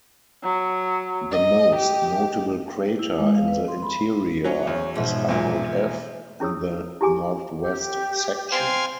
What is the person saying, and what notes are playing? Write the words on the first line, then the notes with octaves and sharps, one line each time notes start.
The most notable crater in the interior is Arnold F, in the northwest section.
F#3
D#5
G4
E4
G#3
F5
B4
C6
B5
F#3 C#4
E2 C#5
G#2 B2 F3 E5
E2 A#2
C#4 E4 G#4 C#5 D#6 E6
E4 G4 G#4 G#5 D6
G4
C4 F5 G#5 C6